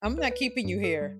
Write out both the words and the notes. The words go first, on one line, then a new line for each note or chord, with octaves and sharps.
I'm not keeping you here.
C#2
B4
B4
G2
A4
G3